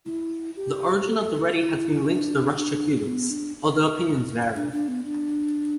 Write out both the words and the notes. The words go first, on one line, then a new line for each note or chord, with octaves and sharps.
The origin of the Reddy has been linked to the Rashtrakutas, although opinions vary.
E4
G4
A4
E4
D4
D4
B3
D4
D4
D4
B3
D4